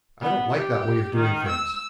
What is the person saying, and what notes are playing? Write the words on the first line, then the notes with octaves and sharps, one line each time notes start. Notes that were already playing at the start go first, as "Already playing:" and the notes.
I don't like that way of doing things.
B3
G4
D#3
E6